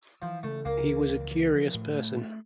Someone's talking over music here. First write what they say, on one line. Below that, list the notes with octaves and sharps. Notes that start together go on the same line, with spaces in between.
He was a curious person.
E3 F3
C#3 A3
C#2 A#3
E3
C#2
E3
F3
A2
A3